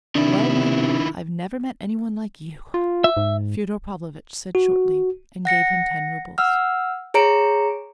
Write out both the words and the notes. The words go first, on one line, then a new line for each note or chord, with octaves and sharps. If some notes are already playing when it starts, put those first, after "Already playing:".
"Well, my lad, I've never met any one like you," Fyodor Pavlovitch said shortly, and gave him ten roubles.
C3 D#3 D4 E4
F4
E5
G#2
F#4
F#5 A#6 C#7
F#5 E6 F6
G#4 C#5 A#5 C#7 D7